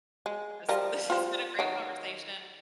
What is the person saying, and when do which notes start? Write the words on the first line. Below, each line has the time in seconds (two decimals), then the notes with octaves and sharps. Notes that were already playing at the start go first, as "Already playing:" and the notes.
This this has been a great conversation.
0.26 G#3
0.69 F3 G3 A#4
1.10 F4 G4 C5
1.59 D#3 F#3